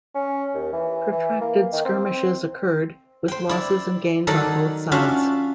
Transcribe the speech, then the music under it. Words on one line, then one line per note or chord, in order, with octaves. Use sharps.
Protracted skirmishes occurred, with losses and gains on both sides.
C#4
D#2
E3
E3
A#3
D#3
C4
C4
C5 G5
E4 D5
D#3 F#3 D#4 A4 D5
C#4 D4 F4 F#4 E5 F5